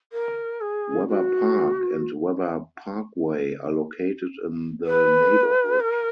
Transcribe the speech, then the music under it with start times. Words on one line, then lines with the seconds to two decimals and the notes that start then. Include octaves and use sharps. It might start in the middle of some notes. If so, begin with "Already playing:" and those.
Webber Park and Webber Parkway are located in the neighborhood.
0.13 A#4
0.61 G#4
1.08 F#4
4.86 B4
5.80 A#4